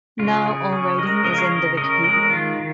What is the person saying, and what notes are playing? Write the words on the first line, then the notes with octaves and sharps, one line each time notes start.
Now, all writing is in the Wikipedia.
C#3 F4
C#3 G#4
C#4 G#4
G#3 A#4 D#5
C#3 A#4 D#5
C#5 F5
C#3 A#4 D#5
C#4 A#4 D#5
G#3 A#4 D#5
D#3 F4
D#3